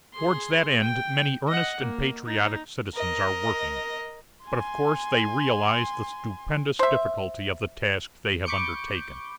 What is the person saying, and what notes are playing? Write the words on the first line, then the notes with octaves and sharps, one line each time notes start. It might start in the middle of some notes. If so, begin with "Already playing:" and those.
Towards that end many earnest and patriotic citizens are working; but of course they realize the stupendous difficulty of the task they have undertaken.
G#4 C6
G5
D#5 F#5
A#3
D#4
A#4 D#5
G#5 C6
C5 E5
B5 C#6 D6 G6 C#7